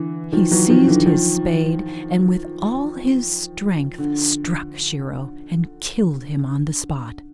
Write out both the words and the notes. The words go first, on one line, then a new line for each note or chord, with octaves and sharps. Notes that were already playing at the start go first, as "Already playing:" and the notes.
He seized his spade, and with all his strength struck Shiro and killed him on the spot.
Already playing: D3 E3
D#3 F3
E3 F#3
D#3 F3
D3 E3
D#3 F3
D3